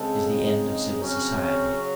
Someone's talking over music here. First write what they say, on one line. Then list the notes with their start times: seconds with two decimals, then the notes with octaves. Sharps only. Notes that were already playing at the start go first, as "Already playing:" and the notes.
It is the end of civil society.
Already playing: C#3 G#3 C4 A4
0.27 D#4
1.02 C#3 F#3 C4 C#4
1.40 C#4